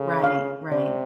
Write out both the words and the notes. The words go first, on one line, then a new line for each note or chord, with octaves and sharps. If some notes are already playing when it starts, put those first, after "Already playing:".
Right, right.
Already playing: C#3 A4
F5
C3 D5